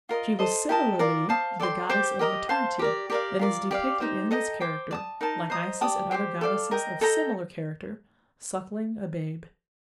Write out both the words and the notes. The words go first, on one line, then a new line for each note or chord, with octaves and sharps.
She was similarly the goddess of maternity, and is depicted in this character, like Isis and other goddesses of similar character, suckling a babe.
F4 A#4 D#5
A4 C5 D#5
G4 A#4 D#5 A5
F4 A#4 D5
C5 F5 A5 D#6
A4 D5 G5 C6
G4 C5 G5 D6
G4 A#4 D#5 A#5
C5 F5 A5 C6
G4 A#4 D5
G4 A#4 D5 F5
F4 A#4 D5
G4 D5 F5
D#4 G4 C5
A4 D#5 G5 A#5
C5 G5 D6
D5 A5 D#6
D#4 A#4 D#5 A5
C5 D#5 A#5 D#6
G4 D5 A5 D#6
G4 C5 G5
A4 D5 F5
A#4 D#5 G5
A4 D#5 G5 A#5